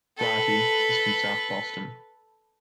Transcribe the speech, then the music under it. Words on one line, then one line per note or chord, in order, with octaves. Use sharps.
Flaherty is from South Boston.
A4 B4